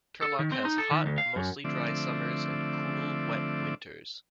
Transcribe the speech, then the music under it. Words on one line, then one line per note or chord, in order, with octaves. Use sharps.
Turlock has hot, mostly dry summers and cool, wet winters.
A4
D#3
C4
D#4
A4
D#3
D2
F5
F#2
D3 F3 A3 C4 D5 E5